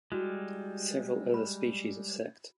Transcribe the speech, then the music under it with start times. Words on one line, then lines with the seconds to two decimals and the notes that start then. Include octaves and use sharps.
Several other species of sect.
0.12 G3 G#3 E4 F#4
1.34 B5